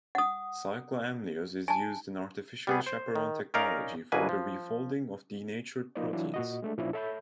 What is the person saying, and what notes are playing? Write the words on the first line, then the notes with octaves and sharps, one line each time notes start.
Cycloamylose is used in artificial chaperone technology for the refolding of denatured proteins.
F#5 D#6
G#5 A5
G3 B3 G#4
C5
D#3
C#4 D#4 A#4 D5 F5 A#5
G1 B2 F#3 A#3 B4 G#5
F3
F3 A#3 D#4 B4 C5 D5
E3 F#3 D4 E4 F4
A#2 F#4 D#5
G#3 A3 D4
A#2 F3 C#4 D4 E4
A4 C#5 E5 A5 B5 G6